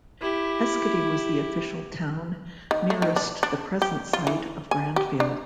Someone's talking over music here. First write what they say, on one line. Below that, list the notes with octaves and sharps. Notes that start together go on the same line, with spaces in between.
Eschiti was the official town nearest the present site of Grandfield.
E4 G4
D#3
A3
D#3
D4
D4
G4
F4
E3
G#5
G4
D4